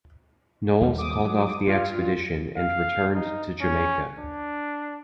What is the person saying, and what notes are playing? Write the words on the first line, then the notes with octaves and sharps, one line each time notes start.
Knowles called off the expedition and returned to Jamaica.
D#2 G3
D6 D#6
F#3
G2 F4 F5
F5
D#4
C#4
D4